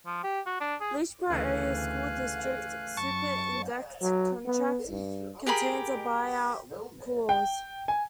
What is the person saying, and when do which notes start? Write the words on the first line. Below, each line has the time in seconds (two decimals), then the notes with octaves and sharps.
Leechburgh Area School district superintendeet contract contains a buyout clause.
0.06 F3
0.23 G4
0.46 F#4
0.60 D4
0.81 G#4
1.30 D2 C#3 E3 A3 F5 G#5 F#6
2.97 F#2 A5 C#6
4.02 F#3
4.46 B3
4.90 G2
5.46 G4 G#4 A#4 B5
7.29 G5
7.88 G#5